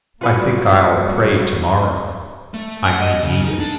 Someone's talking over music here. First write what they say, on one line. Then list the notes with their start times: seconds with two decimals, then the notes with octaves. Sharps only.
I think I'll pray to-morrow; I may need it.
0.21 C3 F#3 G3 A#3 F4 F#4 B4 D5
2.54 A3
2.85 F#5
3.00 D#5
3.22 C#3
3.43 D#4
3.60 D4